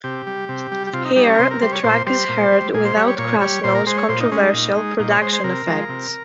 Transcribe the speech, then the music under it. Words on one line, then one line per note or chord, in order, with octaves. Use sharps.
Here, the track is heard without Krasnow's controversial production effects.
C3 G4
G3
C3
G3
G4
C3 F4
D#4
G3 D#4
C#4
A#4
C3 C5
A#4
G3 C5
C#5
A#2 C5
G3 C5
A#2
G3
A#2 G#4
C5
G3 C#5
C#5
A#2 C#5
G3 C#5
A#2 C5
A#4
G#3 C5
C#5
A#2 C5
D#4
G#3 C#4
D#4
A#2
G#3
A#2 D#4
C#5
G#3 C5
C5
C3 A#4
F3 G#3
C3